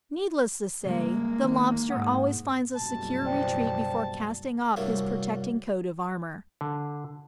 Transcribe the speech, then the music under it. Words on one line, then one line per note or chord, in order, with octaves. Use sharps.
Needless to say, the Lobster always finds a secure retreat before casting off his protecting coat of armour.
G#2 C#3 G3 G#3 A#3
D#3 D#4
G#2 F#5 D#6
F#1 B2 G3 A5
C5 D5 G5
C2 G2 F#3 A#3 D5 E5
D3